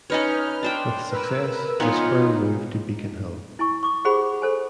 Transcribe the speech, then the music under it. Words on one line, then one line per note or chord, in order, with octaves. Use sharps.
With success, his firm moved to Beacon Hill.
C#4 D#4 B4 C#5 F6 G6
D4 C5 G5
A#4 B4 E6
A#2 F3 B3 D#4 F4 C#5
E4 G#5 C#6
C#6 D6
G4 G#4 C5 F#5 B5 C#6
A4 C5 G#5